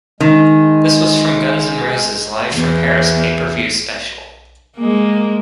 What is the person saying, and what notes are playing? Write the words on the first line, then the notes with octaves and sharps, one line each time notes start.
This was from Guns N' Roses live from Paris pay per view special.
D#3 G#3
E2
G#3 A#3